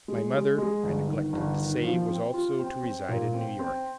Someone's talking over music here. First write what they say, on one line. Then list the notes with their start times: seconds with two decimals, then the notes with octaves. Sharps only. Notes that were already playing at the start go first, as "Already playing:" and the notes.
My mother, I neglected to say, was also to reside in New York.
0.08 G#3
0.33 G#3
0.58 G#3
0.83 G1
1.08 D#3
1.33 G1
1.58 D#3
1.84 F3
2.08 C4
2.34 F4
2.59 C4
2.83 C4
3.09 A#2
3.34 C4
3.59 C4